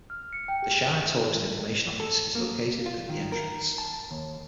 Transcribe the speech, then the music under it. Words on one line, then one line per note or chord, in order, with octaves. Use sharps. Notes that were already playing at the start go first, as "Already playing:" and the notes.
The shire Tourist Information Office is located at The Entrance.
F6
C#7
G5
G4
A4
A#3
F4
D#3
A#4
A5
D#2